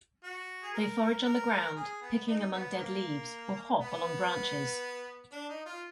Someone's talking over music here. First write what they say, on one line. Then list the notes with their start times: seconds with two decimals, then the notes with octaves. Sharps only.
They forage on the ground, picking among dead leaves, or hop along branches.
0.24 F#4
0.63 G#4
0.74 A#4
1.25 A#4
1.76 G#4
2.01 B3
2.27 D#4
2.53 B3
2.78 A#3
3.80 B3
5.32 D4
5.49 D#4
5.66 F4